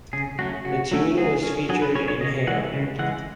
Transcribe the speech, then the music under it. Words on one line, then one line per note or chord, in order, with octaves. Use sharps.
The tune was featured in Hey Arnold!
C#3 G#4
F#3 A3 C#4 F#4
C#3 F#4
F#3 A3 C#4
F#3 G#4
C#4
F#3 G#4
B4
C#4 C#5
C#5
C#3 D#5
E3 G#3 F#5
C#3
E3 G#3 F#5